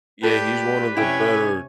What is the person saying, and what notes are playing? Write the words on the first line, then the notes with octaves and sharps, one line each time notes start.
Y Yeah, he's one of the better
A3 G4 A4 B4 D5 G5
C3 C#4 E4 C#5 G5 G#5